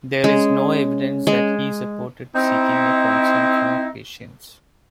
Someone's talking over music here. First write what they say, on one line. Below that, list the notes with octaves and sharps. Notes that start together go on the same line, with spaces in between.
There is no evidence that he supported seeking a consent from patients.
G#3 C#4
G#3
C4 D#4 E4